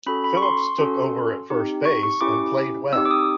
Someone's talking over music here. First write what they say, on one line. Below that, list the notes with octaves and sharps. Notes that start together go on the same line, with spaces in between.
Phillips took over at first base and played well.
C#4 F#4 A4 B5
B5
C#6
C6
C#4 F#4 A4
C4 D#4 G4
C#6
C#6
C#4 E4 G4 D6
C4 D#4 G4 E6
D6
D#6